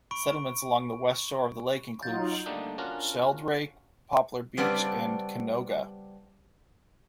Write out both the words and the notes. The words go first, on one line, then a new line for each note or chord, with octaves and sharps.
Settlements along the west shore of the lake include Sheldrake, Poplar Beach, and Canoga.
B5 C#6 D7
F#3 D#4 F4 G6 A6
D3 G3 A3 A#3 D4 D#4
C#4 D4 F4 F#4 A#4
C#3 G3 B3 C4 D4